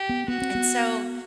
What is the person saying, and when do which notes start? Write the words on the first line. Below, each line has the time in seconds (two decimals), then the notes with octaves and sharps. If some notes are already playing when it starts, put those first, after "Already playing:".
And so
Already playing: G4
0.09 B3
0.28 B3 F#4
0.42 C4
0.55 B3